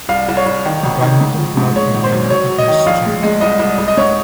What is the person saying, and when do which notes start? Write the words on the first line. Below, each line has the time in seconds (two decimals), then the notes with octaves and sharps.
The badminton club remained on Agnes Street.
0.09 C2 F5
0.28 C2
0.37 C#5
0.46 C2
0.65 D#3
0.83 G#1
1.01 D#3
1.21 G#2
1.38 F3
1.57 G#2
1.75 G#3 C#5
1.94 G#1
2.04 C5
2.12 F#2
2.30 F#3 C#5
2.49 F#3
2.58 D#5
2.68 D#3
2.86 A#1 F5
3.05 G#3
3.23 G#3
3.41 C2 D#5
3.59 C2
3.78 C2
3.88 D#5
3.97 G#2 C#5